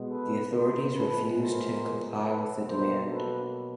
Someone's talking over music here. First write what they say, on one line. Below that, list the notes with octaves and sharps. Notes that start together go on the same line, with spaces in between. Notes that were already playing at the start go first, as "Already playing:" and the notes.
The authorities refuse to comply with the demand.
Already playing: B2 G#3 B3
A4 B4
A#4 C5
A2 F3 G#3 B3 A4 B4
A#4 C5
A4 B4
B2 F#3 A#3 A#4 C5
A4 B4